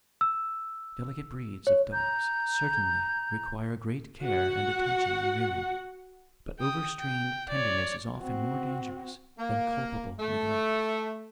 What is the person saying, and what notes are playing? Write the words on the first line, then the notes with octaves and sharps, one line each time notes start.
Delicate breeds of dogs certainly require great care and attention in rearing; but overstrained tenderness is often more dangerous than culpable neglect.
E6
C#5
A#5 G6
F#4 F#5
G5 D#6
G5
C#5 D5
C4 F#4
A#3
A3